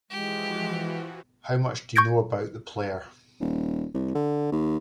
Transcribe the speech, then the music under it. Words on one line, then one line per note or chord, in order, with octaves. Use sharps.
How much do you know about the player?
E3 F3 G#3 F#4 G4
C#6 G6 G#6 A#6 D7
D#1
C2
D3
D#2